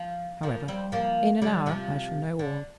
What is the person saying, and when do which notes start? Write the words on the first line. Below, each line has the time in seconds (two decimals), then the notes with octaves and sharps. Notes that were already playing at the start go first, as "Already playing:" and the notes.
However, in an hour I shall know all.
Already playing: F3
0.43 F3 A#3
0.68 G3 C4
0.92 F3 A#3
1.42 D3 G3
1.66 C3 F3
2.39 D3